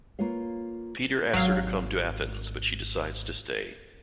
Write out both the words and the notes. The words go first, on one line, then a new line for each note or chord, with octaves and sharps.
Peter asks her to come to Athens but she decides to stay.
A#3 F4 B4 C#5 F5
G#1 F#3 F5